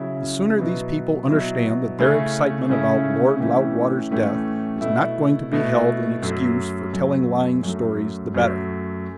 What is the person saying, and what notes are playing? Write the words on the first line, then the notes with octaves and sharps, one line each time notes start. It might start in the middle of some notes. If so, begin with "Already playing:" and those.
The sooner these people understand that their excitement about Lord Loudwater's death is not going to be held an excuse for telling lying stories the better.
Already playing: C#3 F#3 C#4 E4
B2 F#3 B3 E4
B2 F#3 B3 E4
C#3 A3 C#4 E4
C#3 A3 C#4 E4
A2 E3 A3 C#4 E4
A2 E3 A3 C#4 E4
B2 A3 E4
B2 A3 E4
F#2 F#3 A3
F#2 F#3 A3
F#2 F#3 A3
F#2 F#3 A3